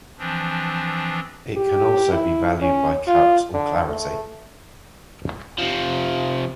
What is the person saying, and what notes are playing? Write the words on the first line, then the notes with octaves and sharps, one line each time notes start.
It can also be valued by cut or clarity.
E3 F3 C4 D4
G4
E4
C#4
F4
D3
A3
C3 F3